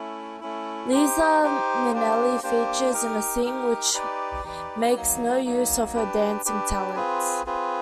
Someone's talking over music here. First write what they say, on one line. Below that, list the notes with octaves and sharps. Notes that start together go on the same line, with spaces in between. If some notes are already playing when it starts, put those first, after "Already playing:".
Liza Minnelli features in a scene which makes no use of her dancing talents.
Already playing: A3 C#4 E4
A3 C#4 E4
D#4 G4 C5
D#4 G4 C5
A#3 D4 G4 C5
A#3 D4 G4 C5
D#4 G4 A#4
D#4 G4 A#4
D#4 G4 B4 D5
D#4 G4 B4 D5
F#3 A#3 D#4
F#3 A#3 D#4
D4 G4 B4
D4 G4 B4
C4 F4 G#4 B4
C4 F4 G#4 B4